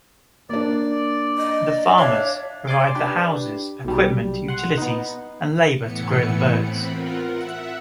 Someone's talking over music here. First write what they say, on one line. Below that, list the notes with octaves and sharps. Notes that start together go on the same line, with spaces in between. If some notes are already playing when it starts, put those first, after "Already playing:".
The farmers provide the houses, equipment, utilities and labor to grow the birds.
A#3 D4 D5
D#5
D4 C#5 E5 F5
D5 G#5 C6 D6
D4 G4 B4
B1 G3
F#5 C6
B3 D#4
A2 E3 B3 C#7
C4 B5
F4 A#4 F#5
E5 F#5